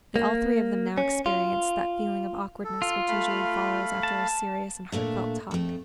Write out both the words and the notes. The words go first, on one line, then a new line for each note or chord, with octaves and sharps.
They all three of them now experienced that feeling of awkwardness which usually follows after a serious and heartfelt talk.
A#3
C#4
F4
A4
F4
A3 F5 B5
A5
A#2 A3 D4
F2 A3